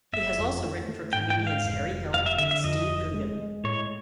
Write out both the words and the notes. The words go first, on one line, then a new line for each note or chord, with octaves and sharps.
He has also written for comedians Harry Hill and Steve Coogan.
F#1 E5
F2
A3
A3
G#2 G5
G5
G#3
F5
F1
F1
F1 F5
E5
D3 E5
E5
F2 D#5
F1
G#3
G#3
A2 C#5